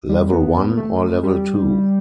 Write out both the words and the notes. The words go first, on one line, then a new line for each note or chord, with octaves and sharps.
Level one or level two?
G3
B3
A3
G3